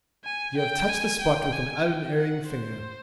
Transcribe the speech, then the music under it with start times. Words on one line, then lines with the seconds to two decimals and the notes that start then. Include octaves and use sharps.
'You have touched the spot with an unerring finger.
0.25 G#5
0.58 G5
0.89 G#5
1.22 G5
1.53 G#5
1.85 G5
2.17 F#5
2.49 C5